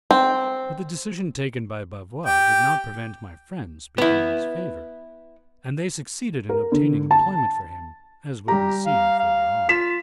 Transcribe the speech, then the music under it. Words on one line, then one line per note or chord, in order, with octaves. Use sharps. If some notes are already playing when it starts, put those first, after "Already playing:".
But the decision taken by Bavois did not prevent my friends speaking in his favour, and they succeeded in obtaining employment for him, as will be seen further on.
C4
G4 G5
B3 E4
A#4
D3
A5
G3 G4 A#5
F5
F5
F4 B6 E7